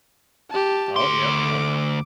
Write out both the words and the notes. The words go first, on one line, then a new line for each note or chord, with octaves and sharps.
Oh, yep, yep.
G4 A5
D2 C6 D6